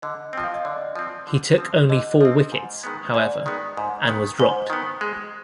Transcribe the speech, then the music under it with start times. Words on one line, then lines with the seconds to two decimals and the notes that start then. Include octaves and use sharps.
He took only four wickets, however, and was dropped.
0.02 D3 D#5
0.33 F3 C4 G5
0.44 F5
0.54 D#5
0.65 D3 D5
0.95 F3 C4
1.27 D3
1.58 F3 C4
1.89 D3 D#5
2.21 F3 C4
2.52 G#2
2.83 D#3 G#3 B3
3.14 G#2 D5
3.46 D#3 G#3 B3
3.77 G#2
4.08 D#3 B3
4.39 G#2 C5
4.70 D#3 B3
5.01 G#3